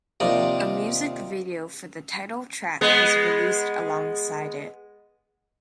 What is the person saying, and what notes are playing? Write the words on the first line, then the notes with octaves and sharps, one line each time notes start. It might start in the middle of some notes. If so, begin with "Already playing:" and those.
A music video for the title track was released alongside it.
D#2 C3 F3 D5 D#5
G#3 B3